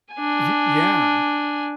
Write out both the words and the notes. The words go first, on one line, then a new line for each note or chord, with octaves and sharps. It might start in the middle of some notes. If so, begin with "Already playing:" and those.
Y yeah,
D4 G#5